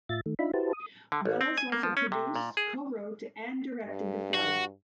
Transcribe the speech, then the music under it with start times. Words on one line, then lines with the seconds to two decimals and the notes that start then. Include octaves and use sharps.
Welles also produced, co-wrote and directed the film.
0.09 A2 F4 E5 A6
0.26 D#3 A3
0.39 D4 D#4 F4 E5 B5
0.54 E4 F#4 G4 B4 C5 A5
0.73 D#6
1.12 D3
1.25 A1
1.41 C4
1.57 G#5
1.72 A#3
1.83 F3
1.97 C#4
2.12 C3
2.36 A#2
2.57 G#4
3.85 G2
4.34 F#4